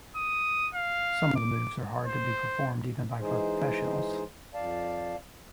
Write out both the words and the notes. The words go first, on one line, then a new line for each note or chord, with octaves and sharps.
Some of the moves are hard to be performed even by professionals.
D#6
F5
D6
C5
E3 G#3 D#4 G#4 C5
F2 D5 F5 A5